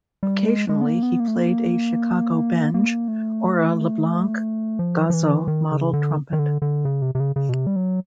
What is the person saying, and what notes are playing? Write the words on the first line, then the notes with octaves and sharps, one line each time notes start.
Occasionally, he played a Chicago Benge or a LeBlanc Gozzo model trumpet.
G3
G#3
G#3
B3
A#3
B3
A#3
A3
A#3
A#3
A3
F3
F3
E3
D#3
C#3
D3
D#3
D3
D3
C#3
C3
C3
C#3
C#3
B2
C3
G3
F#3